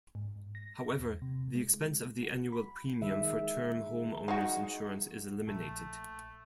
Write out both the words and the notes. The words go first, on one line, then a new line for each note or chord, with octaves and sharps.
However, the expense of the annual premium for term homeowners insurance is eliminated.
G#2
A#6
E2
C3
G#3
F#4
B5
D#3 G#3 E5
G#3 D#4 F#4
A#1 A3